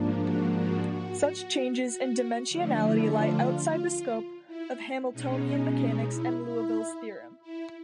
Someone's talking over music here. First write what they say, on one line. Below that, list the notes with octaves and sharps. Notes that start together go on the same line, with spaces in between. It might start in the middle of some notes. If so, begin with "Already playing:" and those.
Such changes in dimensionality lie outside the scope of Hamiltonian mechanics and Liouville's theorem.
Already playing: G#2 F3 A#3 D4
F#4
F#4
F#4
F#4
D3 F3 A3 D4
E4
F4
E4
B2 G#3 C#4 D#4
D#4
E4
E4
E4